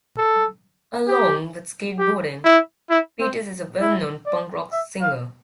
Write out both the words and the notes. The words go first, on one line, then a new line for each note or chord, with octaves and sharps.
Along with skateboarding, Peters is a well-known punk rock singer.
A4
G4
G4
E4
E4
C4
E4
D5
E5
F5